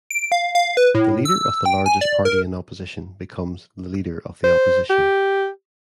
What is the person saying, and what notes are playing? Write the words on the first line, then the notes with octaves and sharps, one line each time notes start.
The leader of the largest party in opposition becomes the Leader of the Opposition.
D7
F5
F5
B4
A2
E6
G5
G#5
D5
A#4
C5
G4